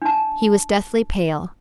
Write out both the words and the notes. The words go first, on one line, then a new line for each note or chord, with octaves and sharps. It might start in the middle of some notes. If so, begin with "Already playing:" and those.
He was deathly pale.
D4 A5